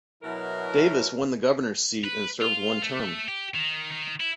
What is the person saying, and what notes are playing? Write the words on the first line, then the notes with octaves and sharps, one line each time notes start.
Davis won the governor's seat and served one term.
B2 F#3 E4 A#4
B4
F4
A3
G4
D#3
D#3
E4